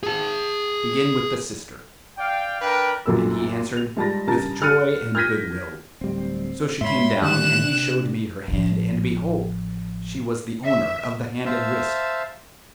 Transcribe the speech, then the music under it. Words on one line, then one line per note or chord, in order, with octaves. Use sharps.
Begin with the sister;' and he answered, 'With joy and goodwill.' So she came down and he showed me her hand and behold, she was the owner of the hand and wrist.
G#4 A5
D5 F5 G5
D4 A#4 B4 G5
B1 F#2 A#2 A4 E6
F7
G#2 G3 A5 B5 A6 A#6
G2 C#3 A#4 A5 A#5 A6
F6 F#6 A6 C#7 D#7
F6 G6 G#6 A#6 B6 D#7
D1 G3 C4
G#2 C#5 E5 B5 C6
D3 D#3 G3 A3 F#6 E7
C3 D4
A1 F3
E5
C5 E5 F5 A5 E6